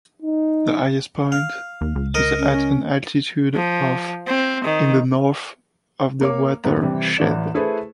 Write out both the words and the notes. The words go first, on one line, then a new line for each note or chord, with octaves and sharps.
The highest point is at an altitude of in the north of the watershed.
D#4
F5
D#2
C#2
D#4 A#4 D#5
C#4
F3
C4
D#3
A#3 C#5 D6
F#2 A2 D#3 B3
C3 E3 G3
A1 E3 D5 E7
A3 E4 G#4 A4 B4 C5